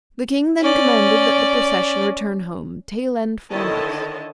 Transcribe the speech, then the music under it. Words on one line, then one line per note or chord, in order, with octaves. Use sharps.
The King then commanded that the procession return home, tail-end foremost.
C#4 D5
D3 D#3 E4 C#5 D#5 A5